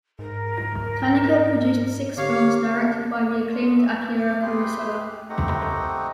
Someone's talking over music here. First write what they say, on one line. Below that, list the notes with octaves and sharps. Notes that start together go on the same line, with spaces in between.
Tanaka produced six films directed by the acclaimed Akira Kurosawa.
G#2 A#4
D3 G4 C#5 F5
C6
E5
D6 F6
G4 G#4 B4 C6 F#6
A3 C4 D#4 G4 D#5 F#5